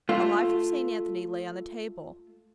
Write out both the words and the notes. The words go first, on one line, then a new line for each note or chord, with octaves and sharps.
A life of St. Anthony lay on the table.
A3 F4